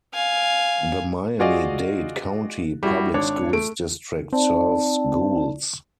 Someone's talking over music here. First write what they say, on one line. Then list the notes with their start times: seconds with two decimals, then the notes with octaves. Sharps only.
The Miami-Dade County Public Schools district serves Goulds.
0.14 F5 G#5
1.39 F4 F#4 G#4 D5 D#5 F5
2.83 G3 E4 F#4
3.14 G#1 D4 C#5
3.53 A3 D7
4.33 C4 D#4 D5 A5